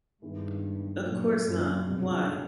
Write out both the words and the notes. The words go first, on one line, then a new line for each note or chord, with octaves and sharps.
Of course not; why?
G2 D#3 G#3 B3 E4
A#2 F#3 A#3
F#2
C2 G2 B2 G#3